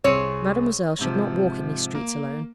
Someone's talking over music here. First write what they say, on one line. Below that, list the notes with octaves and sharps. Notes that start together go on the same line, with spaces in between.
Mademoiselle should not walk in these streets alone.
C2 C4 G#4 C#5 D#7
G#2 C3 F3
A#3